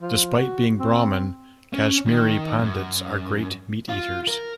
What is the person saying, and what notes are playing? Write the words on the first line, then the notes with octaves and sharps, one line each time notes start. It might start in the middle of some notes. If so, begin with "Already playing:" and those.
Despite being Brahmin, Kashmiri Pandits are great meat eaters.
F3
F#4
C4
C#4
D#3
F#2
F4
A#4